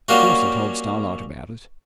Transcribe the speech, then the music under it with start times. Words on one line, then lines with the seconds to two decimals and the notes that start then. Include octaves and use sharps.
Of course I told Starlight about it.
0.08 F#3 G3 A#3 C#4 F4 F#4